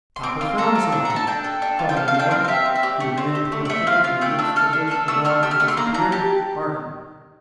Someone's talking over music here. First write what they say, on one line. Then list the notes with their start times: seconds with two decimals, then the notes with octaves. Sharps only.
"Top has found something!" cried Neb, who ran towards a thicket, in the midst of which the dog had disappeared, barking.
0.16 C6
0.23 C4 D6
0.41 F4 C6
0.58 A4 A#5
0.75 C4
0.92 D4
1.05 A4 A#5
1.16 A5
1.27 D4 G5
1.44 A4
1.62 D4
1.79 F4
1.89 G5
1.96 A4 F5
2.08 F5
2.14 D4
2.19 G5
2.31 C4 F5
2.45 F5
2.48 G4 E5
2.66 C4
2.75 E5
2.83 G4 D5
3.00 A3
3.17 C4
3.35 G4
3.52 A3
3.65 D5
3.70 A3 E5
3.87 C4 F5
4.04 F4 F5
4.21 A3 G5
4.39 D4 E6
4.56 A4 F6
4.73 D4
4.91 A4
5.08 A3 E6
5.25 D4 F6
5.43 G4 E6
5.51 F6
5.60 A3 E6
5.68 C6
5.77 A#3 A#5
5.94 D4 A#5
6.12 G4 A5